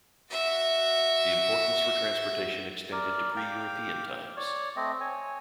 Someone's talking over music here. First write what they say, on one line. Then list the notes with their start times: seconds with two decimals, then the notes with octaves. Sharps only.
The importance for transportation extended to pre-European times.
0.31 F#4 E5
2.92 A#4 D5
3.36 F5 G5 D6
4.37 C#5 D5
4.76 A3 C4 D#5
5.01 C#5 G#5